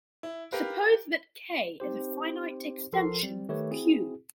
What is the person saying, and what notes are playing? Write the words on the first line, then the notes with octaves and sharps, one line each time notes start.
Suppose that "K" is a finite extension of Q.
E4
G4 A#4 B4 F5
C4 D#4 G4 C5
C2 F3 A4 A#4 C6 C7
G3 C4
D#3 A3 G4 B4 C#5
C4 E4 F#4 G#4